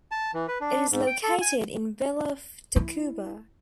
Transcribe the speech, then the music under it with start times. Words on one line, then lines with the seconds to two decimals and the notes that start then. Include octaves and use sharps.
It is located in Villa of Tacuba.
0.11 A5
0.34 E3
0.48 B4
0.61 D4
0.92 G#2
1.07 G5
1.23 A4
1.41 G#5
2.76 E4